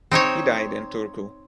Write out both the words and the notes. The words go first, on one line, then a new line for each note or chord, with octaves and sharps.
He died in Turku.
C4 D#4 C5 C#5